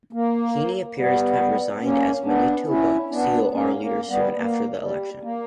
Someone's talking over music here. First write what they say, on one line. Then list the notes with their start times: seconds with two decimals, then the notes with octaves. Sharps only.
Heeney appears to have resigned as Manitoba CoR leader soon after the election.
0.13 A#3
0.97 G3 B3
1.82 A#3 C#4
2.25 B3 D4
2.67 C#4 E4
3.10 B3 D4
3.52 A#3 C#4
3.81 A#3
4.09 G3 B3
4.37 A#3
4.80 G3
5.22 A#3